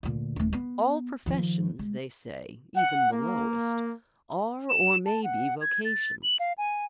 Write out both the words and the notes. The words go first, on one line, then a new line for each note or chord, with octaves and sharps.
All professions, they say, even the lowest, are or may be vocations.
D2 A#2
D#1 A3
B3
D#3 F3
G#3
F#5
A#3
E7
A5
F#5
G#6
A6
F#7
F5
G#5